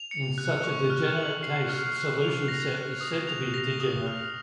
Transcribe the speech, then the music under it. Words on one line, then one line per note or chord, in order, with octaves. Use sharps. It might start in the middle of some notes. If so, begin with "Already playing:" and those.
In such a degenerate case, the solution set is said to be degenerate.
Already playing: F7
C#7
F#6
C#6
F6
F#7
C7
F6
F#6
F7
A#6
F#6
D#6
F7
A#6
D#6
F6